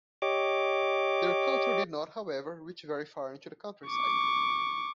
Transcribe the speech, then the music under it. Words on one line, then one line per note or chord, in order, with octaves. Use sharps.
Their culture did not, however, reach very far into the countryside.
G4 C#5 D#5 D6
C#6 D6